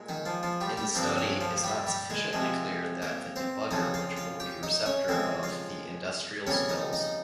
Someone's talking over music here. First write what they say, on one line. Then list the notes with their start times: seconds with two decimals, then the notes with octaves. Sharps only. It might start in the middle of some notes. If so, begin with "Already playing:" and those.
In the study is not sufficiently clear that the debugger which will be receptor of the industrial spills.
Already playing: A#2 G#3
0.09 D#3 D#4
0.25 F3 F4
0.43 F3 F4
0.61 G3 G4
0.77 G3 G4
0.95 G2 F3 A#3 C4
1.18 C#4
1.41 F3 F4
1.57 F4
1.64 G3 G4
1.87 G3 G4
2.10 G#3 G#4
2.33 C3 F3 G#3
3.02 A#3 A#4
3.36 C4 C5
3.71 F2 C#3 F3 D#4 D#5
3.94 F4 F5
4.17 F4 F5
4.40 G4 G5
4.63 D#4 D#5
4.86 C#4 C#5
5.08 F2 C#3 G#3 C4 C5
5.43 F4 F5
6.47 F2 C#3 G3 A#3 C#4 C#5
6.69 D#4 D#5
6.93 D#4 D#5